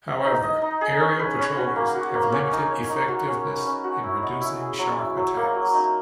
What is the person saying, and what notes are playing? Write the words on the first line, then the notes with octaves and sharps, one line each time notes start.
However aerial patrols have limited effectiveness in reducing shark attacks.
D#4
D#5
D#4
G#4
C#4
B4
C#4
F#4
A#3
F#4
A#3
C#4
D#4
C#5
D#4
F#4
C#4
B4
C#4
F#4
E4
D#5
E4
G#4
F#3
E4
F#3
A#3
F#3
D#4